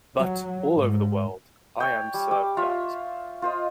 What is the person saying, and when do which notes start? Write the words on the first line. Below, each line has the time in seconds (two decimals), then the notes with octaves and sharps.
But, all over the world, I am served that.
0.18 F#3
0.75 G#2
1.80 C#5 G5
2.14 G3
2.31 G3 D6
2.57 F4 C#5 E5 F5
3.42 F4 C5 D#5